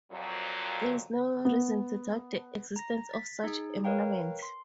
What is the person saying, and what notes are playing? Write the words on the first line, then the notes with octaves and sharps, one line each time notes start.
There is no reason to doubt the existence of such a monument.
F2 A#2 F#3
B3
A#5 A#6
A6 B6
D#4 G#4
A#4 B4 C#5 F5 G5 A#5
C6